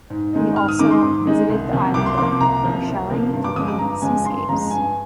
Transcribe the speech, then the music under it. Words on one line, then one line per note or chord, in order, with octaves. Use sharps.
He also visited the island of Terschelling to paint seascapes.
G#2
D#3 G#3 D#4
G#2 F6
D#6
D#3 G#3 D#4 D6
C6
G#2
D#3 G#3 D#4
C2
C3 F3 A#3
C2 D6
C6
C3 F3 A#3 D6
C2 A#5
C3 F3 A#3
C2
C3 F3 A#3
G2
D6
F3 G#3 D#6
D6
G2 A#5
F3 G#3 G#5
G2 C6
F3 G#3 A#5
G2 G#5